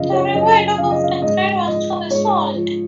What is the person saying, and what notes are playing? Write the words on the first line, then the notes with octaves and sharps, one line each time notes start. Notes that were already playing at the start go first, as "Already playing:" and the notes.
The remainder of the grain was to be sold.
Already playing: F#2 C#3 F3 D#5 F5
C#5
F#2 D#5
C#3 F3 F5
D#5
F5
G#2 D#5
F3 D#5
G#2 C#5
F3